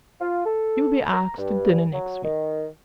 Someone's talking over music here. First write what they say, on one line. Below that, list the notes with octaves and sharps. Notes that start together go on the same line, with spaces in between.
You'll be asked to dinner next week.
F4
A4
A#5
G2
F#3
D#3